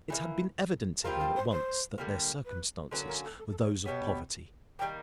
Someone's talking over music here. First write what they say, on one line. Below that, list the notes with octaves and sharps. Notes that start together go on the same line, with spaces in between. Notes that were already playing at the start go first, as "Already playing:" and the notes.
It had been evident to him at once that their circumstances were those of poverty.
E3 G3 A#3 E5
G3 C4 F4 A#4 F5
F5
C5
C5
D3 G3 A#3
B4
D3 F#3 A#3 C#4 B4
A#4
A4
A4
A4
C#5
B2 G3 B3 C#5
D#3 G3 A#3 G5